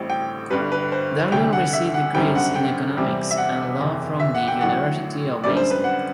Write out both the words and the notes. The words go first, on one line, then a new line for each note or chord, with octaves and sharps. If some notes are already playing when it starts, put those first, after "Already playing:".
Darling received degrees in Economics and Law from the University of Basel.
Already playing: A1 A2 G3 C4
G5
G1 G2 D3 G3 B4
B4
C5
D2 C3 G3 G5
F#5
E5
F#5
G1 F#2 D3 G3 C4 G5
F#5
G5
E2 C3 G3 C4
E5
F#5
F#1 E2 C3
E5
F#5
G5
A1 A2 F#3 F#5
F#2 D3 G3 C4 D5
C5
B4
F#5